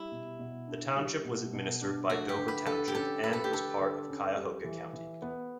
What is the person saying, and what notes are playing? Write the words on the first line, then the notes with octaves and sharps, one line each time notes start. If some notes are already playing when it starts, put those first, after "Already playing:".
The township was administered by Dover township and was part of Cuyahoga County.
Already playing: G3 E4
B2
B2
D4
G3
B2
B2
D4
A3 F#4
G4
D3
B4
D3 A4
G4
C#4 A4
A3 B4
A4
G4
D3 A4
D3
C#4
G3
E3
E3
B3